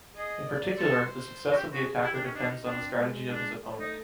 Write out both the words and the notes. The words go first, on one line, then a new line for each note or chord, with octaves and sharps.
In particular, the success of the attacker depends on the strategy of his opponent.
G#4 D#5
D5
A4 C5
F#4
G4
F#4 G#4
E4 G4
D4
C#4
D4 D#4
C4 D4
G#3
D4
A3
D#4